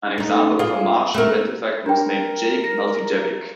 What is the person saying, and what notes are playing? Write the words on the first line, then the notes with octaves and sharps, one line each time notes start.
An example of a Martian ventifact was named Jake Matijevic.
A3 D#4
F4 G#4
A3 A#4
D4 A#4 G5
A#6